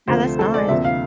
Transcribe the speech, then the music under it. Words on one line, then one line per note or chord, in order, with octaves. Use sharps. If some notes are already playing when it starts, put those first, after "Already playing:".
No, that's nice.
D2 C3 F3 A3 C5
A4
D5
D2 C3 F3 A#3 E5
F5